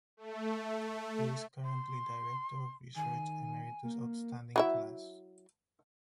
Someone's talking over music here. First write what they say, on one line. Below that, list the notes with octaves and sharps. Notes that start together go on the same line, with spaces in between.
He is currently Director of Research Emeritus Outstanding Class.
A3
C6
D#3 G#5
A#3
F#3 E4 E5